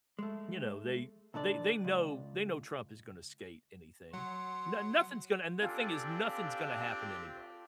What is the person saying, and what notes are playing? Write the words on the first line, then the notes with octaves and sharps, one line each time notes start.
you know, they they they know they know Trump is gonna skate anything. No nothing's gonna and the thing is, nothing's gonna happen to anybody.
G#3 A3
A#2 D3 D4 D5
C#2
F#3 F#5 C6
C4 D4 F4 G4 A4 G#5